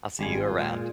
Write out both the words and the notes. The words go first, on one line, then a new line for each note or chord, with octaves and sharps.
I'll see you around.
G#1 G3 F4 G#4 G#5
A#2 G#3